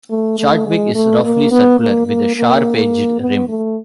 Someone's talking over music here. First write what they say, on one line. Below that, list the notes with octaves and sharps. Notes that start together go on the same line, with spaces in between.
Chadwick is roughly circular with a sharp-edged rim.
A3
A3
G#3
A3
A#3
B3
A#3
A#3
A#3
B3
A3